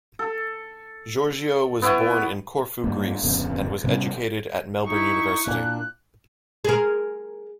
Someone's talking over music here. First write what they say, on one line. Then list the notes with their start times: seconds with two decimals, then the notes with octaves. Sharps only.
Georgiou was born in Corfu, Greece, and was educated at Melbourne University.
0.19 A4
1.82 B3 E4 C#5
2.84 G2 A#3
3.23 D1 F2 C#3 B3
3.84 C3 G3 B3 C#4
4.85 D#4 E4 C#6
5.47 A#2 D4 F#6
6.64 G#4 A#4